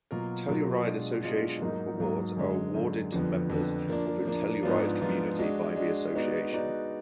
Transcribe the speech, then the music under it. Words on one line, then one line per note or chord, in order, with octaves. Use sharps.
Telluride Association Awards are awarded to members of the Telluride community by the Association.
B2 F#3 A#3 F4 A#4
B2 F#3 A#3 F4 A#4
B2 G#3 D4 F4
B2 G#3 D4 F4
G#2 F#3 A#3 D#4
G#2 F#3 A#3 D#4
F#2 D3 G#3
F#2 D3 G#3
F2 D3 F3 B3
F2 D3 F3 B3
F3 A#3 D4
F3 A#3 D4
G#2 F3 B3 D4 F4
G#2 F3 B3 D4 F4
G#3 D4 F#4
G#3 D4 F#4
G#3 B3 D#4 F#4 D5
G#3 B3 D#4 F#4 D5